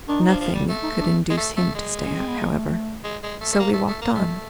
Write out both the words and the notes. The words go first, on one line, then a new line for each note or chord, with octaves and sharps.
Nothing could induce him to stay out, however, so we walked on.
D#3 D4
D#4
F3
D4
F3
G3
A3
D#4
D4
G#3
A3
A3
G#3
C#4
C4
B3
A#3
A3
G#3
G#3
A3
A3
A#3
A3
A3
A#3
G#3 A3